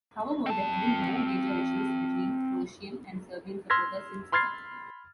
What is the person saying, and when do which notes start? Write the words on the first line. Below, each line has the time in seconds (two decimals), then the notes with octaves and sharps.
However, there have been no major issues between Croatian and Serbian supporters since then.
0.46 C4 A5
3.70 C6 E6 F6 G#6 A#6 B6
4.32 B5 C6 F6 G#6 A6 C7